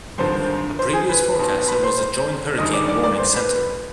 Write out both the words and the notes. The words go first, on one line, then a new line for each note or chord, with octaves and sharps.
A previous forecaster was the Joint Hurricane Warning Center.
G#1 G2 D3 F3 C5 C6
C5 C6
G#4 G#5
B4 B5
B1 B2
B4 B5
C5 C6
C5 C6
G1 G2 D#3 D#5 D#6
D5 D6
D5 D6
D5 D6
C5 C6
B4 B5